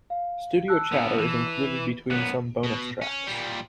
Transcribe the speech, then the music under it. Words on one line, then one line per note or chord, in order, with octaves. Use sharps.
Studio chatter is included between some bonus tracks.
F5
A5 E6 F#6
G2 B3
E3
F#2 B3 F#6
B2
C#4
A#2 G3